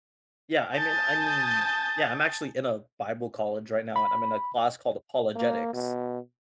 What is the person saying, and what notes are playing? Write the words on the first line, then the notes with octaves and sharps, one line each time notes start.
Yeah, I’m in I’m in Yeah, I'm actually in a bible college right now, and I'm in a class called Apologetics.
G#5 A5 D#6 G6 A6
B5
A#3
B2